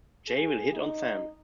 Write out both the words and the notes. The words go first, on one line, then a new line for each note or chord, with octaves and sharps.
Jay will hit on Sam.
G#4
D#4